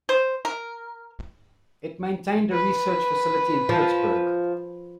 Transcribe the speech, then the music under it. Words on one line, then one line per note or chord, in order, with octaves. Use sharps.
It maintained a research facility in Pittsburgh.
C5
A#4
B4
F3